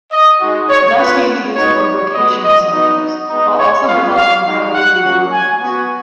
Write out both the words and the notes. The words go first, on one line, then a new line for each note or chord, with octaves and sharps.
Thus he introduced more vocational subjects, while also developing higher degree programmes.
D#5
G#3 D#4 F#4
C#5
B3 F4 B4
B3 D#4 F#4 C#5
G#3 B3 F#4 D#5
D#5
B3 D#4 F#4 D#5
G#3 B3 D#4
C#5
B3 F4 F5
F5
G#3 D#4 F#4
F#5
A#3 C#4 F#4
G#5
B3 F#4